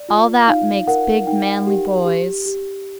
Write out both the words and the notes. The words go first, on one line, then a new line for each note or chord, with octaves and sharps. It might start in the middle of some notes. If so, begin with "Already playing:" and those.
All that makes big, manly boys.
Already playing: D5
F4
D#4 F5
A#4 F#5
D#4 G5
G4
G4
G4